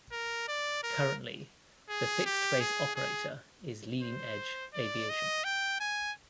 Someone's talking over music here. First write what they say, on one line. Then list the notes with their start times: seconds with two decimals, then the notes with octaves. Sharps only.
Currently, the fixed-base operator is Leading Edge Aviation.
0.12 A#4
0.48 D5
0.83 A#4
1.89 G#4
2.25 G4
2.60 G#4
2.95 G#4
4.02 C5
4.74 D5
5.09 D#5
5.44 G5
5.80 G#5